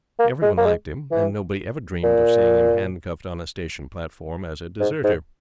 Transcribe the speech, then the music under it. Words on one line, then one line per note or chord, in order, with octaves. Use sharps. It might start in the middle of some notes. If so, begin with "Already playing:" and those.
Everyone liked him; and nobody ever dreamed of seeing him handcuffed on a station platform as a deserter.
A#3
G#3
A#3
G#3
E3
A#2
G#2
G#2